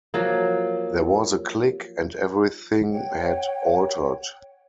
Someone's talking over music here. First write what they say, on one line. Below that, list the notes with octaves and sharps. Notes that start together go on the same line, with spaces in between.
There was a click, and everything had altered.
F3 F#3 A#3
C#5 F#5 G5